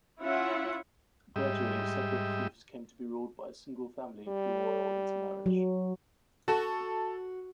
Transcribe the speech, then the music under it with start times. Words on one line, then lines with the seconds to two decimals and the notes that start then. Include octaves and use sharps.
Gradually, separate fiefs came to be ruled by a single family through royal intermarriage.
0.21 C#4 E4 F4 E5 F#5
1.36 G#2 G3 G4 D#5 E5
4.28 G3
5.46 F#3
6.48 F#4 A4